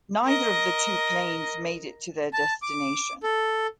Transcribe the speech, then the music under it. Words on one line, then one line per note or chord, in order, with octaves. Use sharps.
Neither of the two planes made it to their destination.
A#4 D#5
A5
D6
A4